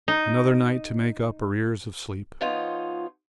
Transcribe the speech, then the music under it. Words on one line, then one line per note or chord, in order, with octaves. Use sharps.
Another night to make up arrears of sleep.
D#4
F3 B3 D#4 F4 C5 C#5